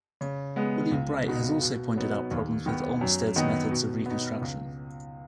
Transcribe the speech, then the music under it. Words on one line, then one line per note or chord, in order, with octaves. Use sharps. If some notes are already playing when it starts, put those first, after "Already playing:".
William Bright has also pointed out problems with Olmsted's methods of reconstruction.
C#3
G#3 B3
C#2
B2 B3 D#4
B2
F#3 B3 D#4
D#2
D#3 B3
F#2
D#3 B3 D#4
B2
B3
D#4
C#2